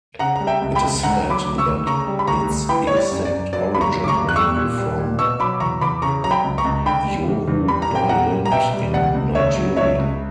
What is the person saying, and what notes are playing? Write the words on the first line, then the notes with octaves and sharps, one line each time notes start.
It is said that its exact origin may be from Yorubaland in Nigeria.
C#3 F#5 A#5
G3 A#5
E5 G5
C#2
G5 B5
C#2
D3 F#5 A#5
F#3
B5 D6
D2
C#6 E6
D2
C#3 A#5 C#6
G3
B5
D2 A#5 C#6
D2
E3 G5 B5
G3 C#5
D5
F#2
D5
F#2
F#3 D5
G2 B5
A#5 C#6
F#3
D6
A#5 C#6
G2
F#6
G3 C#6 E6
A#2
G3
A#2
B2 C#6 E6
F#3 B5 D6
E2 A#5 C#6
E2 B5 D6
C#3 A#5 C#6
F#3 A#5
G5 B5
C#2
A#5 C#6
C#2
D3 G5 B5
G3
E2
E2
G3 B5
A#5
A#2
G5
G3 F#5 A#5
A#2
A#5
B2 E5 G5
G3
C#2 D5 F#5
C#2
C#3 C#5 E5
F#3
C#2 C#5 E5
C#2